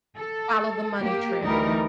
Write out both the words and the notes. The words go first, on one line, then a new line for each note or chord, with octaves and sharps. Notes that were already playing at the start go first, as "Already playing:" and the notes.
Follow the money trail.
A4
A#3 G4
D2 E3 G3 D#4 A#4